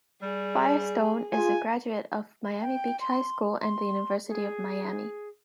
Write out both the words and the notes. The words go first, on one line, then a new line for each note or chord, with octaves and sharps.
Firestone is a graduate of Miami Beach High School and the University of Miami.
G3 G#4
F4 G#4 G#5
G5
C6
C6
G#4